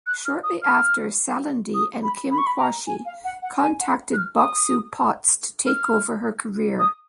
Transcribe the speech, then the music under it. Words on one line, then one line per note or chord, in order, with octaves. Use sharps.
Shortly after, Salandy and Kim Quashie contacted Boxu Potts to take over her career.
F#6
F6
D#6
F6
D#6
B5
B5
C#6
B5
A#5
G#5
F5
F#5
F#5
G#5
F#5
F#6
F6
D#6
F6
D#6